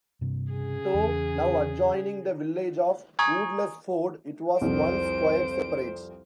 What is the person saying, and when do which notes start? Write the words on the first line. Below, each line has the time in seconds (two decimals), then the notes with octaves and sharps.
Though now adjoining the village of Woodlesford, it was once quite separate.
0.21 G2 C3
0.51 C#3 G#4
0.94 E2
3.19 G#5 A#5 C#6 D#6 G#6
4.61 C2 F2 C5 D7